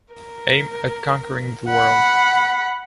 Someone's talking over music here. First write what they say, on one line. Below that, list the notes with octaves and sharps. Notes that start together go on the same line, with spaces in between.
Aim at conquering the world.
A#4
F#5 B5